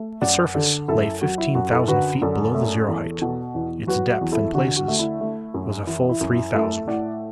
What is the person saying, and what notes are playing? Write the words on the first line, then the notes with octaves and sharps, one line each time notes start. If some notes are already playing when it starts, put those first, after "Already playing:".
Its surface lay fifteen thousand feet below the zero-height; its depth in places was a full three thousand.
Already playing: A3
F#2 D5 F#5
D3 A4 D5
F#2 E4 A4
F#3 F#4
E4
F#2 F#4
E4 A4
D3 F#4 B4
F#2 A4 D5
A3
E2
B2
E2
F#3 F#4 B4
F#4
E2
E4 A4
D3 F#4
F#4
A3
E4
A3
F#2
E3 E4
E4
F#2
E4
A3 E4 A4
A2 D5 F#5